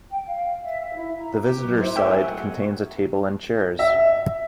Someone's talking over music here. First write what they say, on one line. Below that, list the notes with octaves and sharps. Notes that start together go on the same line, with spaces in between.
The visitor side contains a table and chairs.
G5
F5
E5
E5
E4
A#5
G4
F#3 B4
C4 E4 C5 D#5
F#3 A4 A#4 E5 G5 G#5
G#4 D#5 F#5
E5